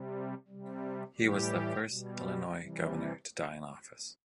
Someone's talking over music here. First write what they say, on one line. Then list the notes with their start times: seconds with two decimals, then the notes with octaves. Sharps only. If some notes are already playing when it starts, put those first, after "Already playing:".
He was the first Illinois Governor to die in office.
Already playing: C3 G3
0.48 C3 G3
1.17 A2 E3 G3 G4
1.87 B2 G3
2.57 C3 E3 G3